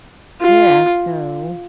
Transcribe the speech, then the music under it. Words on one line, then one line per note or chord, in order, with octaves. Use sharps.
Yeah, so
F4